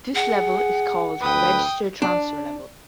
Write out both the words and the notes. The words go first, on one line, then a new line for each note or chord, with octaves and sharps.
This level is called "register-transfer level".
G#4 F#5
D2 B4 G5 D#6
D4